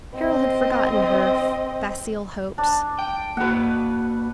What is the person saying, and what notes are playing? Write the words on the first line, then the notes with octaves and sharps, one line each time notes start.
Carol had forgotten her facile hopes.
C4 D#5
D4
G5
A#3 F#4 B4 F#5